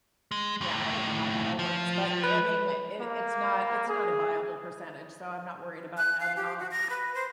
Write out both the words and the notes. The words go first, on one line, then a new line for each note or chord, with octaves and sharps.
Yeah. I don't know how that all works, but, I mean, I it's not it's not a viable percentage, so I'm not worried about that at all.
G#3
D#2 A2
F3
B4
A#3
G#4
F#6
F5
G4
F#4
A#6
B4
C5